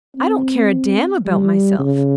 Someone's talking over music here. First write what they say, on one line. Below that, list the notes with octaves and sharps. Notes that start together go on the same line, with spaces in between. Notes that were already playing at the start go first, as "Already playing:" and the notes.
I don't care a damn about myself.
C4
G3
C#3